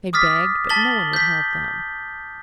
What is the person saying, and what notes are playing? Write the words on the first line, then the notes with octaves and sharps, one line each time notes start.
They begged, but no one would help them.
D6 D#6 F6 A6 B6
A5 A6 B6 F#7 G7
G6 B6